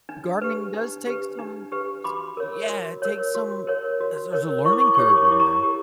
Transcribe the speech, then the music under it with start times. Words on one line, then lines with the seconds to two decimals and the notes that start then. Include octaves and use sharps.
Gardening does take some s Yeah, it takes some as there's a learning curve in there.
0.09 D4
0.42 G4 B4
0.74 D4
1.07 G4 B4
1.39 D4
1.72 G4 B4
2.04 F#4 B5 D6
2.37 A#4 C#5
2.69 F#4
3.02 A#4 C#5
3.35 F#4
3.67 A#4 C#5
4.00 F#4
4.33 A#4 C#5
4.65 E4 C#6
4.73 D6
4.80 C#6
4.87 D6
4.95 C#6
4.98 G4 A#4 C#5 D6
5.10 C#6
5.17 D6
5.24 C#6
5.31 E4 D6
5.40 A#5 C#6
5.63 G4 A#4